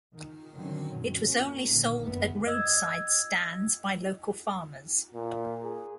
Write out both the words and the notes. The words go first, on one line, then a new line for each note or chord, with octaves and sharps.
It was only sold at roadside stands by local farmers.
D#3
D3 D#3 F#3 C4 C#4
F#2 B2 F#3
G#2 A#3 C#4
A#1 D3 D#3 A#3
F#1 E2 D#3 A3 B3
D#5 E6 G#6
A#2
G#4